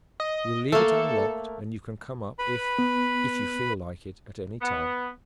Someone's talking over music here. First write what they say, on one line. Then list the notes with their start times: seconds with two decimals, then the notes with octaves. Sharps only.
We'll leave it unlocked and you can come up if--if you feel like it at any time.
0.20 D#5
0.72 A3 A#3 A4
2.39 B4 B5
2.79 B3
4.62 B3